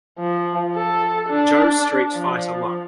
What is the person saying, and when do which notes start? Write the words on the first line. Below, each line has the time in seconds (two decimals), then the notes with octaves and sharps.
Joe Street Fighter line.
0.19 F3
0.76 A4
1.29 D4
2.13 F3